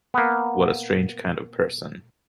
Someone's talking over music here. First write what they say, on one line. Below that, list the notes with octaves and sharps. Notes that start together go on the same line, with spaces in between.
What a strange kind of person!
A#3 B3